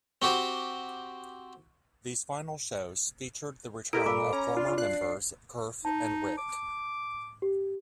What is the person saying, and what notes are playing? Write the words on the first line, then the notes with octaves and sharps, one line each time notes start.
These final shows featured the return of former members Kurf and Rick.
C4 F#4 G4 C5
E4 G4 A4 A#4 D#5 A#5 D7
A#2 E5 B5 D6
C#4 A#5
D4 F4
D4 F4 F#6 C7
D#4 A5
D6
G4